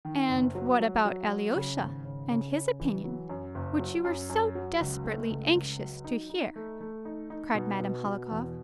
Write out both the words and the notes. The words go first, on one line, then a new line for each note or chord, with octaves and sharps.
"And what about Alyosha and his opinion, which you were so desperately anxious to hear?" cried Madame Hohlakov.
D#3
F#1
F#3
F#3
F#3
F#3
C#3
G#1
C#3
C#3
C#3
E3
F#3
F#2
F#1
F#3
F#2
F#2
F#3
C#2
A3
C#2
C#2
F#3
D#4
D#4
A3
A3
D#4
D#4
B2
B2
B2
E2